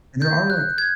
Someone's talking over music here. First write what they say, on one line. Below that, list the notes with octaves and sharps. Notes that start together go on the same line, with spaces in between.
and there are, like
G6
F#6
G#6